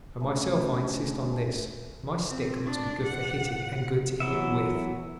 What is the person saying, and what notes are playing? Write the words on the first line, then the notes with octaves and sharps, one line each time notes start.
For myself I insist on this--my stick must be good for hitting and good to hit with.
A3 C#4 D4
C4
D4
F#5
E3 F#3 B3 E5